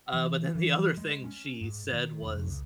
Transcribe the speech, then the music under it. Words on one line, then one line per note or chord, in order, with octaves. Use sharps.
Uh, but then, the other thing she said was,
E3
E3
G#3
C#4
G#2
D#3
E1
F1
C#2